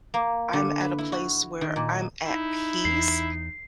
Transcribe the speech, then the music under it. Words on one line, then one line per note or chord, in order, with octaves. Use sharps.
I'm at a place where I'm at peace,
A#3
D3
B4
E4
F#4
D#3
A#2
D#4 E4
E2 C7